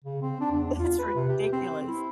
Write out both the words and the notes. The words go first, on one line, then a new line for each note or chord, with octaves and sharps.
It's ridiculous.
C#3
C4
D4
E2
F4
B4
C3
G4
C4
E4